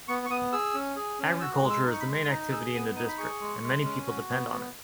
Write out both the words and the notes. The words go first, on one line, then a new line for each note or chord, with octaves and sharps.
Agriculture is the main activity in the district and many people depend on it.
B3 C#6
C#6
B3 D#6
G#4 E6
C#4
G#4
C#4
F#4 E6
G#3
E6
D#4
C#6
B5
G#3
D#4 A#5
G#4 E6
B3 D#6
D#4 D#6
B5
G#4 C#6
G#3
G#3
C#4
F#4
B3
B3